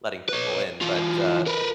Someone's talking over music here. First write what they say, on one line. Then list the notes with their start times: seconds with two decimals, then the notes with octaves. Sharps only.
letting people in, but, uh,
0.29 B4 C#5
0.82 E3 F4
1.46 A#4 B4